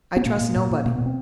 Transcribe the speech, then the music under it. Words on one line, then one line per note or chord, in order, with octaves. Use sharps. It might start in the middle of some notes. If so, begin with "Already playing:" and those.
I trust nobody.
B3
A#2 A#3
A#2
A#2
A#2
B2 A#3
B3
B2 C4